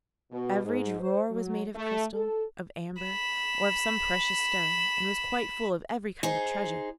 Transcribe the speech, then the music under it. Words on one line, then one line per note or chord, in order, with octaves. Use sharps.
Every drawer was made of crystal, of amber, or of some precious stone, and was quite full of every kind of treasure.
B2
G#2
C5
F#3
A3
A4
B5 E7
D#4 G#4 C5